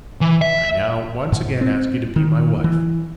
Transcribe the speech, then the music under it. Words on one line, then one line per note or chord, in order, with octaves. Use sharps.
I now once again ask you to be my wife.
E3
E5
G#2
C4
D#3
E3